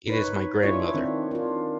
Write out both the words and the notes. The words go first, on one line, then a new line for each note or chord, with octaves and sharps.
It is my grandmother.
D#4 B4 C#5
D4 E4 F4 C#5
D#3 C4 D4
D4 F4